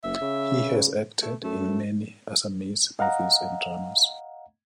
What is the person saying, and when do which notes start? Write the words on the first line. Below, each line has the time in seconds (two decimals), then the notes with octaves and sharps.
He has acted in many Assamese movies and dramas.
0.04 F#1 E5
0.21 C#3
1.22 A3
1.44 F#2 A3
2.99 D#5 F5 F#5 A#5